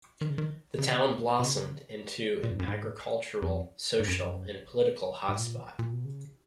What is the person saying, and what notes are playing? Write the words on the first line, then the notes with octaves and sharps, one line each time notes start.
The town blossomed into an agricultural, social, and political hot spot.
D#3
C#3
D#3
C#3
B2
C#3
A#2
F2
G#2
F#2
G#2
F2
G#2
F#2
G#2
A#2
A#2
B2
C#3